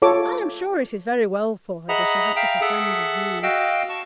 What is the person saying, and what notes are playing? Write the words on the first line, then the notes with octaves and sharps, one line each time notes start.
'I am sure it is very well for her that she has such a friend as you.'
F4 A4 C#5 D6
G#4 D#5 E5 F#5 A#5 B5
E5 F5 G5 A#5
G#4 A4 E5 F#5
F#4 D#5 F5 G5 E6
A5 C#6